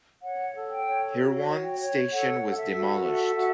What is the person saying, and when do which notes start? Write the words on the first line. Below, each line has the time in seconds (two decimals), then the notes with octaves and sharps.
Hirwaun station was demolished.
0.22 C#5 F#5
0.54 A4
0.70 G5
0.85 C#5
1.17 F#4
1.48 C#5
1.64 G5
1.79 C#5
2.11 A4 F#5
2.42 A4
2.52 F#5
2.58 E5
2.73 F#4
3.05 A4 E5
3.36 F#4